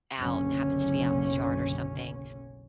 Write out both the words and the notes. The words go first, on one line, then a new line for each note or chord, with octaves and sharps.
out and happens to be out in his yard or something.
F#1 B1 D3 C#4